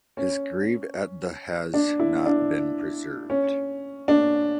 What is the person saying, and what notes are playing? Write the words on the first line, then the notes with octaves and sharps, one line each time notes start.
His grave at the has not been preserved.
C#4
D4
E4
D4
C#4
D4